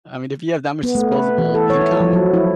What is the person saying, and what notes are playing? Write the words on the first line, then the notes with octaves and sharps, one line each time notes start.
I mean, if you have that much disposable income, uh
B3
A3
B4
E3
A4
C#5
E4
F3
F#3
E4